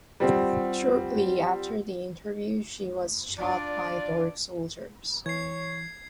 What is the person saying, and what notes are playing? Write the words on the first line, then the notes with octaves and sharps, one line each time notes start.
Shortly after the interview she was shot by Derg soldiers.
G3 C4 F4 G4 F#5
D4 F4 D5
E3 C#5 G#6 C7